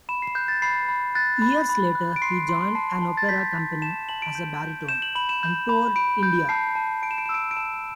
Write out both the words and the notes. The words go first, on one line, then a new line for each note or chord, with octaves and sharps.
Years later he joined an opera company as a baritone, and toured India.
B5 E7
C7
F#6 G6
A6
B5 C7
B5
F#6 A6
B5
B5
F#6
D7
C6 C7
C6
A5 C7
A5
A6
G6 B6
G6
A5 E7
A5 F#7
D7
G6
G6
G6 E7
F#7
B5 F#7
E7
G6
B5
B5 D7
G6
A5 C7
A5
A5 D7
E7
D7
E7
E6
D7
D7
A5 E7